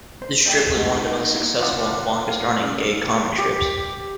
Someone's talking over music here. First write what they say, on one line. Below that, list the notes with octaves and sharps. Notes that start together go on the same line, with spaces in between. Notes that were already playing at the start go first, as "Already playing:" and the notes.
The strip was one of the most successful and longest-running gay comic strips.
C5
D2 E3 D5 D#5 G5
G#3 A3 D#4 F#4 D#5
A#3 E4
F#1 F4 C5 D5 F#5 D6
F5
C#3 D5 E6 F6 F#7
C#7
G4